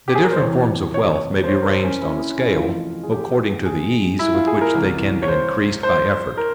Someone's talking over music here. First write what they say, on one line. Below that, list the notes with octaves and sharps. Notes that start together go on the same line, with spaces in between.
The different forms of wealth may be ranged on a scale according to the ease with which they can be increased by effort.
G4
G#4
A#4
C5
E2 C3 E3 C#5
C#5
C#5
C5
C#5
A#4
C5
C#4
E4
C#4
E4
F1 F2 E3 F4
G#4
G4
G#4
E4
F4
G#4
A#4
C2 C3 E3 A#4
C#5
C5
C5
A#4